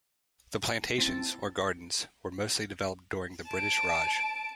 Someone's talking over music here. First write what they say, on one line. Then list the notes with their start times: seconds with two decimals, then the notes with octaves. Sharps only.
The plantations, or gardens, were mostly developed during the British Raj.
0.98 C4 E4 A5
3.48 A5 D7